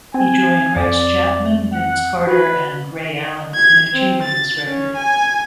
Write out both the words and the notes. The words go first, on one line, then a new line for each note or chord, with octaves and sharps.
He joined Rex Chapman, Vince Carter and Ray Allen in achieving this record.
C4 G#5
F2 D5
F#5
F#4 B4
G#6
C4
A6
C#4
G#5